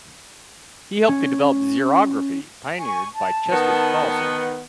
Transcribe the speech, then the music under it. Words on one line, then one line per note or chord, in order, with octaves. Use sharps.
He helped to develop xerography pioneered by Chester Carlson.
C#4
G#5 C#6
A5
D#3 B3